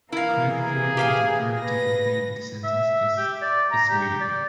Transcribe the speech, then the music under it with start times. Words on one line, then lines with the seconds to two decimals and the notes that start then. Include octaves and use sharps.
The correct form of the verb to complete this sentence is "is waiting".
0.12 E3 A#3 E4 F5
0.48 G#4
0.97 G4 F5 G#5
1.59 B4 A#6
2.64 E5
3.17 G4
3.42 D5
3.71 A#5
3.90 G4
4.20 D5